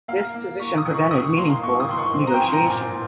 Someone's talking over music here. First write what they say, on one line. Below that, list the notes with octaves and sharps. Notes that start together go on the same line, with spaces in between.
This position prevented meaningful negotiation.
A#3 F5
A#3
A#3 C#6
D#6
D#3
C#6
D#3 D#6
C#6
A#3 C6
C6
A#3 C#6
D#6
D#3 C6
C#6
C4 C6
A#5
G5
F3 G#5
C6
A#5
A#2 G#5
A#2